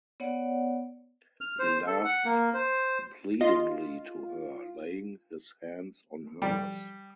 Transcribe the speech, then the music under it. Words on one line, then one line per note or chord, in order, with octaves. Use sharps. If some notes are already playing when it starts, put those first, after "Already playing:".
He laughed pleadingly to her, laying his hands on hers.
B3 C#5 D5 F#5
F6
C5
A4
F#5
A#3
C5
F4 D#5 C6
G3